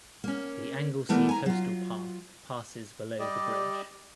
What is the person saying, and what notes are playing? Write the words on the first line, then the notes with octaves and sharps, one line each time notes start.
The Anglesey Coastal Path passes below the bridge.
A#3 C#4
E3 A3 B3 D4 A#4
G#5 A#5
F#3 F4
G3 G4 D5 D#5